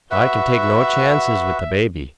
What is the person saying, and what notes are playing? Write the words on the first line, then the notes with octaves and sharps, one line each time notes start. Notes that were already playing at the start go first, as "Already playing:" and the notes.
"I can take no chances with the baby."
F#4 B4 E5 F#5